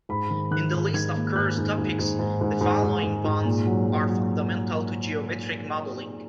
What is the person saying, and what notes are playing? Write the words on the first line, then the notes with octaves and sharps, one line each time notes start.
In the list of curves topics, the following ones are fundamental to geometric modelling.
G#2 B5
D#3
D#3 F#6
G#2
D#3 G#6
A#3
G#2 F#6
G#2
G#2
G#2
G#2
G#2
G#2
G#2
G#2
G#2
A#2
F#3
F#3
F#3